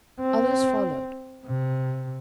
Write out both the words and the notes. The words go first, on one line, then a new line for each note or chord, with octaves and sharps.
Others followed.
C4
C3